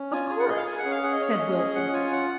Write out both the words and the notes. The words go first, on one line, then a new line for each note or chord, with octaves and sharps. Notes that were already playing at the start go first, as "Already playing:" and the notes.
"Of course," said Wilson.
Already playing: C#4
F4 G#5
G#4 G#5
F#5
G#4 D#5
F5
G#4 G#5
F#5
C#4
F5
G#4 F#5
D#5
C#4 C#5
D#5
C#4
G#4
C#4 F#5
F4 G#5
C#4 F#5